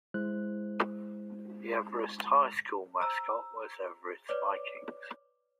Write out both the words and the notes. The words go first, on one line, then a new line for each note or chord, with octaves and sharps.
The Everest High School mascot was Everest Vikings.
G#3 E4 C5 F#6
C5 A#5 E6
B4 C#5 D5 D6